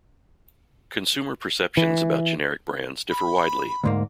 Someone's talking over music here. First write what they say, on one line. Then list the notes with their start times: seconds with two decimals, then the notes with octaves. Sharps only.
Consumer perceptions about generic brands differ widely.
1.77 E3
3.09 B5
3.84 D2 G#2 A#3